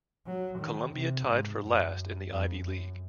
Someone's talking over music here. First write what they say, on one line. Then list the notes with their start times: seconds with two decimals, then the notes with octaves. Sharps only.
Columbia tied for last in the Ivy League.
0.27 F#3
0.59 D#3
0.93 C3
1.27 G#2
1.62 F#2
2.30 F2
2.63 F#2